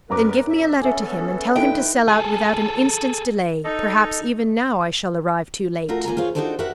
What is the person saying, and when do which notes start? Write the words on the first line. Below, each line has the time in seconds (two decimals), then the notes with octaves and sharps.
"Then give me a letter to him, and tell him to sell out without an instant's delay, perhaps even now I shall arrive too late."
0.10 F#2 B3 A#4 B4 A#5 D6
0.50 E5
0.81 B3 C#4 A4 E5 G#5
1.56 F2 A#2 D#4 E4 A4 B4 G5
2.08 G#4 A4
3.65 D#4 A4 D#5
5.89 A3 F4 F#4 A#4
6.05 A#3 F4 G#5 A#5
6.17 F4 G#4 C5 C#5 F5
6.35 D4 D#4 F#4 G4 A4 C5
6.59 F#4 G4 A#4 B4 E5 F#5